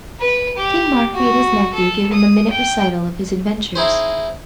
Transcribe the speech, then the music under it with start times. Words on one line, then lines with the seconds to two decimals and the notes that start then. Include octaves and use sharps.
King Mark made his nephew give him a minute recital of his adventures.
0.20 B4
0.57 G4
1.14 F#4
1.74 A4
2.14 D#6
2.51 G5
3.75 D#4 E4 G#4 C5